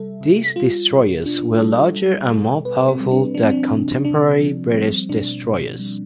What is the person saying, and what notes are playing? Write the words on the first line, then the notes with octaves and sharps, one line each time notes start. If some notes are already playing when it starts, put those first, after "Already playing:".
These destroyers were larger and more powerful than contemporary British destroyers.
Already playing: C3 G3 A4 E5
C3
G3 F4
B2
B2 D4
G3 A4
G3
B2
B2 B4
C4
G3
D4
F3 D4
C4
D4
C3
C3 D4
F3
G3 C4
B2 D4
B2
G3